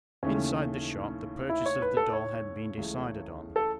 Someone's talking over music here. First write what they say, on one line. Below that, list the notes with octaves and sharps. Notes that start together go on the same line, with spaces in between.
Inside the shop the purchase of the doll had been decided on.
D#2 C#3 E3 A3 C#4
E4
C#5
B4
A4
C#5
C#2 C#3 E3 A3
A4